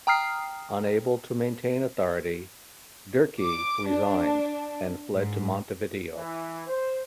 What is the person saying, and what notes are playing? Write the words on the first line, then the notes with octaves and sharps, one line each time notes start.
Unable to maintain authority, Derqui resigned and fled to Montevideo.
G5 A#5 D#6 F6 C7
D6
D4
G#2
E3
C5